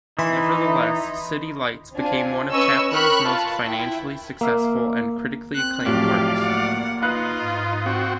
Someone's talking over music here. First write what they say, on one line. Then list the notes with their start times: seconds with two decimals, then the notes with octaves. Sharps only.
Nevertheless, "City Lights" became one of Chaplin's most financially successful and critically acclaimed works.
0.19 E3 D#4 B5 C6
1.95 C4 D4 F4 G#5
2.51 C#4 B4 D#5 C#6 E6
2.93 A#4 G5 B5 C#6 F6 F#6
3.26 F4 B4 A5
3.62 E4 G5
4.41 A#3 E5 F5
5.55 C4 F#6
5.86 A2 F3 F#3 G4 D5 F5
6.43 A#3 F#5
7.02 D#4 F4 B4 F5 F#6
7.39 G#2
7.86 C4 F#4